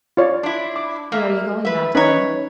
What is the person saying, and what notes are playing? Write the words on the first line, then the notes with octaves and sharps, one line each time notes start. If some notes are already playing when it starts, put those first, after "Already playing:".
"Where are you going, Magdalen?"
F4 C#5 D5
D4 E4
D6
A#3 E5
B4 E5
C#4 D#4 B4 C#5 A#5